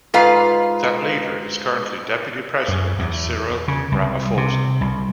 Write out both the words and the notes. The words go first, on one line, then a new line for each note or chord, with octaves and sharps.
That leader is currently Deputy President Cyril Ramaphosa.
G#2 F4 B4 F5
F#2
E2
C#3
C2
C3
C2